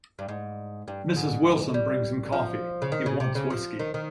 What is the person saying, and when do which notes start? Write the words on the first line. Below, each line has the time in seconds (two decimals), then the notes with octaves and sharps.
Mrs Wilson brings him coffee; he wants whiskey.
0.19 G2
0.29 G#2
0.88 G2
1.16 G#2
1.74 G3
2.32 F3
2.82 C#3
2.92 D#3
3.06 C#3
3.20 C3
3.35 C#3
3.50 F3
3.79 D#3
3.94 D#3